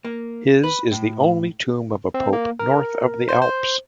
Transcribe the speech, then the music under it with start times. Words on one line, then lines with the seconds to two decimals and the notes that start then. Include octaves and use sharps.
His is the only tomb of a Pope north of the Alps.
0.05 A#3
0.63 B4
0.91 A2
2.14 C4
2.33 A#3
2.59 A#4
3.29 C5
3.42 C5